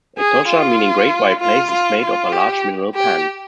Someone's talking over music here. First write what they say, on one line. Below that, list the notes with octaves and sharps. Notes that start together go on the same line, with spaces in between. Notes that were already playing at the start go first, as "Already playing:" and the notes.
Etosha, meaning 'Great White Place' is made of a large mineral pan.
G#4
F4
F4
F4
F4
G4
G4